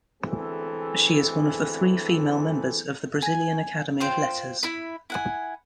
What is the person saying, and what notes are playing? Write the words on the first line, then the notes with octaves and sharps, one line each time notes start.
She is one of the three female members of the Brazilian Academy of Letters.
D2 E3 G#3 C4 G#4 A4
G#5
F4 C5 G5
E4 B5
E4 F#5 G#5